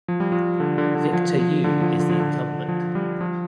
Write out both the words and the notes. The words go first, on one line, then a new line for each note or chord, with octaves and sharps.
Victor Yu is the incumbent.
F3
G3
F3
D3
D3
D3
F3
F3
D3
F3
D3
F3
D3
F3
G3
F3